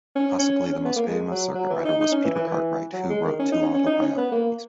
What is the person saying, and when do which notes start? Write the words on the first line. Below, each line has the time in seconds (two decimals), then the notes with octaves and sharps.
Possibly the most famous circuit rider was Peter Cartwright who wrote two autobiographies.
0.15 C#4
0.39 C#4
0.62 C#4
0.73 C#4
0.85 B3
0.96 A#3
1.07 G#3
1.31 F#3
1.55 F#3
1.70 E3
1.85 D#4
2.01 D#4
2.12 C#4
2.24 E3
2.35 E3
2.47 E3
2.93 F#3
3.09 G#3
3.24 D#3
3.39 C#4
3.52 D#4
3.62 C#4
3.74 C#4
3.86 D#4
4.02 C#4
4.17 B3
4.32 A#3